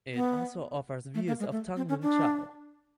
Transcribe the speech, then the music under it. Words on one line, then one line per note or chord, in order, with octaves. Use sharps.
It also offers views of Tung Lung Chau.
B3
A3
A#3
G#3
A3
C4
C#4
D4